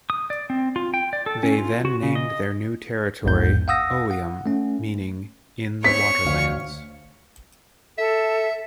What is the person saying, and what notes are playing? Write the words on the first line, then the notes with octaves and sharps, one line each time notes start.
They then named their new territory "Oium", meaning "in the waterlands".
D#6
D5
C4
F4
G5
D5
A4
C#4
F4
F#4
C#3
D#5
A#1 E2 G#2 G6
F5 F#5 D#6 E6 A#6
F#5
A3 C#4
C#5 C#6 B6
D2 F5
A4 E5